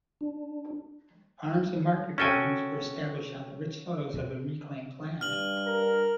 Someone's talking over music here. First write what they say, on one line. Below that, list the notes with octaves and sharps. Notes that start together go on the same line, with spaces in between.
Farms and market gardens were established on the rich soils of the reclaimed land.
D4
C#4 F#4 A4 G5 G#5
G2 F6 F#7
A#4